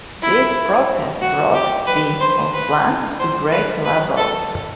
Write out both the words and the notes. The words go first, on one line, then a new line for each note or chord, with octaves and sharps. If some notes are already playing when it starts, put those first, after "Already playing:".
This process brought the of land to grade level.
E4
F#4
G4
B4
C5
B4
C5
B4
B4
A4